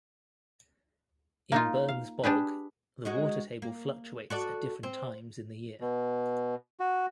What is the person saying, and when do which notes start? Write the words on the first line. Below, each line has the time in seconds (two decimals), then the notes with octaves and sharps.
In Burns Bog, the water table fluctuates at different times in the year.
1.52 A#3 D#4 F4
1.89 F5
2.24 D4 G4 G#4 B4
3.05 G#3 D#4 F#4
3.62 A#3
4.30 F#4 A4 D5
4.83 C4
5.81 B2
6.80 F#4